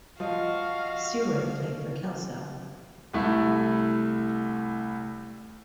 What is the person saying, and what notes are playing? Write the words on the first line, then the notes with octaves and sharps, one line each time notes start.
Stewart played for Kelso.
F3 F#4 D#5 F5
C2 A3 E4